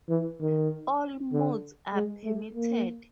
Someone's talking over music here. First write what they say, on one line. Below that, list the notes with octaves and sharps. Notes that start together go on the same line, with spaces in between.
All modes are permitted.
E3
D#3
D3
G#3
A3
A#3